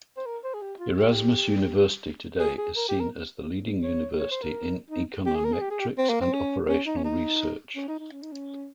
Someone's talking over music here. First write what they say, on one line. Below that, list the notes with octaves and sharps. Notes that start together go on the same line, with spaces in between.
Erasmus University today is seen as the leading university in Econometrics and Operational Research.
C5
A#4
C5
G#4
G4
F4
G4
G#4
G#4
A#4
G4
A#4
C#5
C#5
C5
A#4
D#4
G4
G#4
A#4
G#4
G4
G#4
G4
C4
A#3
C4
C#4
C#4
D#4
C#4
D#4
C#4
D#4
D#4
C#4
D#4
C#4